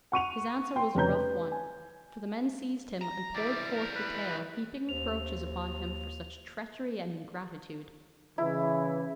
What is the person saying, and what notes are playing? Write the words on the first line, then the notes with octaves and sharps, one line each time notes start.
His answer was a rough one, for the men seized him and poured forth the tale, heaping reproaches upon him for such treachery and ingratitude.
F#5 C#6 D#7 F7
G5 C6
F1 C#3 B4 C#5 A#5 G6
B4
G#5
A#5
E3 G3 D5
A#4
B4
D#2 C5 F7
C#3 E3 E4